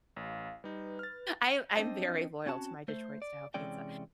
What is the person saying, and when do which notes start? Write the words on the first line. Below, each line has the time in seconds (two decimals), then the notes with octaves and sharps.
I'm I'm very loyal to my Detroit-style pizza,
0.16 A1 F5
0.64 G3 D#4 B4
0.99 F6 A6
1.76 C4 D4 C5 D#5 A5
2.46 C4 C#4 F#4 A5
2.88 A3 C5
3.22 D5
3.54 C3 E3 G#3 C#4 D5 G5